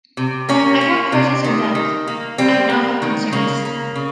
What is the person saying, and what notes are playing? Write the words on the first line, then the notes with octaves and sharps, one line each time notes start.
I had questions and doubts, I now have concerns.
C3
A#3 C#4
A#3
C3
D#3
D#3
A#3
G3 C4
A#3
D#3
C#3 A#3
A#3
C#3